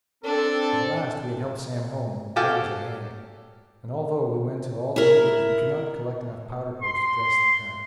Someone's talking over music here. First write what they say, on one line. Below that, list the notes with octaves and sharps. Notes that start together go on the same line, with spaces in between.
When at last we had helped Sam home, night was at hand; and although we went to all the neighbors, we could not collect enough powder-post to dress the cut.
C4 D4 A4
F#4 G4 A4 F5 G#5
E4 A#4
C6